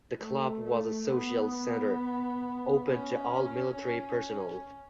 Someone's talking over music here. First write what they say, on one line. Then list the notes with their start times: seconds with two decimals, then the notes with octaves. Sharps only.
The club was a social centre, open to all military personnel.
0.20 A3
0.65 A3
1.09 B3
2.85 C#4
3.74 C#4